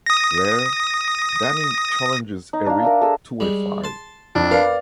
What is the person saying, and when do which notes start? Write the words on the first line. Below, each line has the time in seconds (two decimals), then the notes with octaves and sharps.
Later, Danny challenges Eric to a fight.
0.06 D#6 A#6
2.53 D#4
2.66 D4 F5
2.82 A#4 D5 E5
3.01 G#4 A4
3.40 G3 G#3
3.84 A5 C6
4.35 F2 D4
4.51 A#4 B4 D5 F5